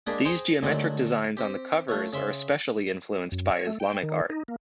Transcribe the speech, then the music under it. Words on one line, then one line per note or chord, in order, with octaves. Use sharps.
The geometric designs on the covers are especially influenced by Islamic art.
G#3 A#3 D4 G4 G#4
G#4 C5 D#5 G5 C6
D3 D#3 F#3 G#3 A3
C4 G4
A3 F4 C#5
C#3 E5 C6
F#2
C#5
A3
G5
D#3
D#4
A#3